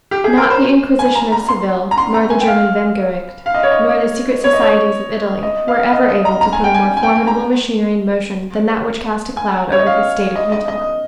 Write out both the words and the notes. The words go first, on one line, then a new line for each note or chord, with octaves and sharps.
Not the Inquisition of Seville, nor the German Vehm-gericht, nor the Secret Societies of Italy, were ever able to put a more formidable machinery in motion than that which cast a cloud over the State of Utah.
G4
G#4
A#4
C5
G#5
A#5
A#5
C6
A#5
C6
A#5
G#5
G5
F5
F5
D#5
C#5
D#5
C#5
D#5
C#5
D#5
F5
D#5
D#5
A#5
A#5
G#5
G5
G#5
G#5
G5
G#5
A#5
G#5
C#5
D#5
F5
D#5
D#5
D#5